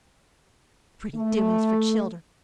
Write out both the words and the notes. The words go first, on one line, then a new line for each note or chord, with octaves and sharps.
Pretty doings for children.
A3